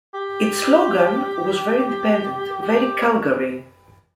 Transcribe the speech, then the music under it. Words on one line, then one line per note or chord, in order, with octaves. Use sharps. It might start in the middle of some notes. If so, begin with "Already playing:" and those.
Its slogan was Very independent, very Calgary!
G4
G4